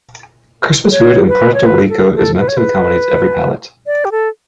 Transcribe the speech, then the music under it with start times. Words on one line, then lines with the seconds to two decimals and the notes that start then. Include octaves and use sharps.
Christmas food in Puerto Rico is meant to accommodate every palate.
0.92 C#5
1.28 B4
1.54 C#5
1.66 B4
1.89 A4
2.15 A4
2.39 B4
2.48 C#5
2.57 B4
3.86 D5
4.05 G4
4.11 A4